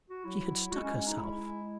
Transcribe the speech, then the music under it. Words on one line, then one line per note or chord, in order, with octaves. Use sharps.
She had stuck herself.
F#4
F#3 E4
G#3 F#4
C#4
C#4
D#4
G#3 E4